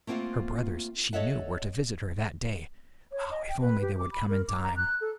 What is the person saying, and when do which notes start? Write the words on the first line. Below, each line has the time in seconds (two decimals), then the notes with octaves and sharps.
Her brothers, she knew, were to visit her that day--if only they would come in time!
0.07 A3 A#3 C4 F4 F#5
1.13 A4 C#5 D#5 E5 F#5
3.12 C#5
3.31 D#5
3.49 G5
3.61 B4
3.82 G4
3.98 D6
4.12 B5
4.29 A#4
4.48 D6
4.62 A#5
4.77 F#6
5.01 A4